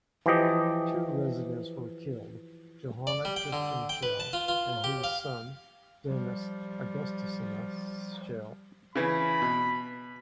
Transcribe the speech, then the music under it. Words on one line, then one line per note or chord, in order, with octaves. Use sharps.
Two residents were killed, Johann Christian Schell and his son, Denis Augustinius Schell.
E3 F3 G4 D#5
D5
G3
G5
D3
G5
B4
A5
F4
F4
G4
F5
F3 G3
C#3 E3 B5
B2